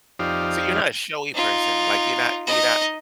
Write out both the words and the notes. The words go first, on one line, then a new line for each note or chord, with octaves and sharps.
So, you're not a showy person? Like, you're not you're not
F2 D#4 G4 C5 D5 F5
D#4 F4
D#4 D#5